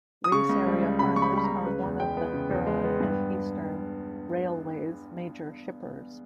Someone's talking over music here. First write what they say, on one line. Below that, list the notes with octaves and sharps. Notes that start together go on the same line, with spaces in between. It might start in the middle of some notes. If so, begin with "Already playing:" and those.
Reese area farmers are one of the Huron and Eastern Railway's major shippers.
D#6
C#3 C#6
C#2
G3
C#2
C#3 B5
C#2 C#6
B5
G3 B5
A#5
C#2
C#3 B4
E2
G#3 G5
B3
C#3
E2
G#3
B3
G2